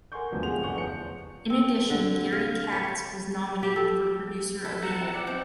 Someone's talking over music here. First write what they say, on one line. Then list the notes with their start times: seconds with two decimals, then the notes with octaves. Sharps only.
In addition, Gary Katz was nominated for Producer of the Year.
0.12 A#4 F#5 G#5 C6 C#6 G6
0.31 D#2 G#2 D3 F3 F#3 B3
0.43 C3 F3 A3 G#4 F#5 F7
0.61 G1 C#4 G#4 F#5 C#6 G6
0.74 E2 F3 C#7
1.50 C4
1.90 D3
2.32 F5
2.72 C#5
3.63 G4
3.76 A4
4.65 A4 B5
4.82 F#5 A5 A#5
5.00 F2 E5 G5
5.14 D5 E5 F#5
5.27 C4 D#4 F#4 G5